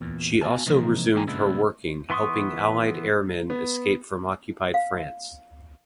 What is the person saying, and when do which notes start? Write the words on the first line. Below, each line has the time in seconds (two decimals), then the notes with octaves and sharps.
She also resumed her working helping Allied airmen escape from occupied France.
0.01 E2 A#2
0.41 B3 F#4 F5 G#5 A5
0.66 C3 E3 F3 G#3 A#3 D#4
1.15 E3 A3 A#3 G5 G#5 A#5
1.27 A#2 C#3 G#3 B3 D4 E4
2.10 E3 B3 C6 C#6 D#6
3.50 B3
4.74 F5